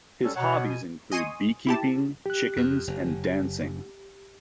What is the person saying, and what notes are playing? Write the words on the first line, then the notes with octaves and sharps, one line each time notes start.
His hobbies include beekeeping, chickens and dancing.
G3 C#4 A4
B2 C#5 F#5
G#5
D#5 G#5 C6 C#6 D#6
E4 G4 A5
G4 F#6
F2
F#1